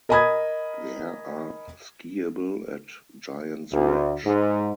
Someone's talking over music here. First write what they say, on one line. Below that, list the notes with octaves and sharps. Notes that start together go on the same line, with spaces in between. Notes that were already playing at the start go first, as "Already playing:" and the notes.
There are skiable at Giants Ridge.
A#4 D#5 G#5 B5 D#6 G#6
D2
G#2